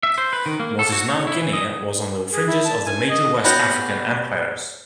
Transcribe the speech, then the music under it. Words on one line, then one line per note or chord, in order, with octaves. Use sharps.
What is now Guinea was on the fringes of the major West African empires.
E5
C5
B4
D#3
A#3
A4
F#4
C#5
E4
E3
D#5
G#4
E4
A5
G#5
D#5
B3 C#4 F#4 G4